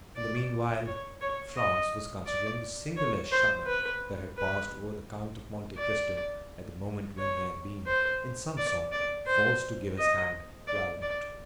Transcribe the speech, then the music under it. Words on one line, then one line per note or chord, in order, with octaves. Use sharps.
In the meanwhile Franz was considering the singular shudder that had passed over the Count of Monte Cristo at the moment when he had been, in some sort, forced to give his hand to Albert.
D5
C#5
C#5
D#5
D5
C#5
C5
B4
B4
D5
C#5
C5
D5
D5
C5
D#5
D5
D5